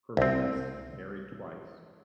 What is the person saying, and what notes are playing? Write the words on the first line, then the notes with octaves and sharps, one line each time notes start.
Corvinus married twice.
C2 C4